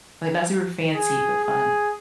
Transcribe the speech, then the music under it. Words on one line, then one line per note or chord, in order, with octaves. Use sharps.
like, not super fancy, but fun.
G#4
G#4